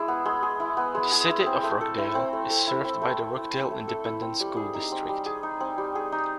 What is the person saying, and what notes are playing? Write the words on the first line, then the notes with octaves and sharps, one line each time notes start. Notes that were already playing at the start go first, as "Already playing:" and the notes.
The City of Rockdale is served by the Rockdale Independent School District.
Already playing: G#3 E4 G#4
B3
G#3
G#4
E4
B3
G#3
G#4
E4
C4
A3
A4
E4
C4
A3
A4
E4
C4
A3
A4
E4
C4
A3
A4
E4
C4
G3
G#4
D#4
C4
G3
G#4
D#4
C4
G3
G#4
D#4